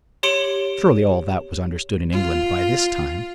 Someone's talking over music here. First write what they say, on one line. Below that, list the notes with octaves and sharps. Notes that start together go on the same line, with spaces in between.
Surely all that was understood in England by this time.
G4 C#5 C6 C#7 D7 F#7
F4